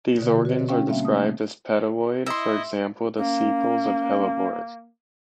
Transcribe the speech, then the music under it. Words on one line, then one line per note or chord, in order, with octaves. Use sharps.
These organs are described as petaloid, for example, the sepals of hellebores.
B2 D3
F3 F#4
F#4 B4 C#5 D#5
B3 C#4 D4 F5 G5
G3 A#3 C4 E5 F5
A3 D#6
E4 D#5 E5 C6 D#6
A#3 C#4